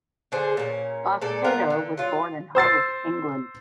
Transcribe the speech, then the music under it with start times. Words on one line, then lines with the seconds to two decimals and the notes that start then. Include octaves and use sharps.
Bastedo was born in Hove, England.
0.32 D3 G#4 C5
0.57 A#2 C#4
1.21 A#2 G#3 A4 D5
1.44 B3 F4 A#4
1.70 D3
1.97 F#3 F4
2.55 C5 E6 A6 C7